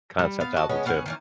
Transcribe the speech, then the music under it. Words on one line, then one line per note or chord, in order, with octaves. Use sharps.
concept album too.
G3
B3 F5
F#4 D#5 A5
C#3 G#3 B3 C#4
B3 C#4 G#4 F#5
D#3 E3 C#4